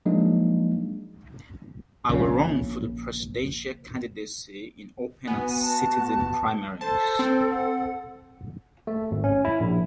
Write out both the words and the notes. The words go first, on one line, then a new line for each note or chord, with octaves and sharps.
I will run for the presidential candidacy in open and citizen primaries.
F3 F#3 G#3 A#3 D4 D#4
A#1 C#3
B3 F#4 G#5
A5
A4 C5 A5
C4 C5
F#5
A3
G#1
C#4
E4
A#1